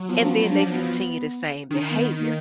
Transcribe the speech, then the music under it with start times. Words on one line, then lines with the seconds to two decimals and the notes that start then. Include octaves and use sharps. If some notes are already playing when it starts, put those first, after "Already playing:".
and then they continue the same behavior.
Already playing: F#3
0.09 F3 B3
0.23 D4
0.29 B3
0.49 D4
0.70 B3
1.70 D#3 D4
1.90 B3
2.19 A#3